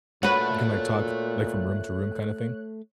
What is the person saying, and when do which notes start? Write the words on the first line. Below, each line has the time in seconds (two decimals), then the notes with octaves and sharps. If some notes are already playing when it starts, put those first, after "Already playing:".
You can, like, talk, like, from room to room kinda thing?
0.23 A#2 A3 F#4 A4 B4 C#5 F#6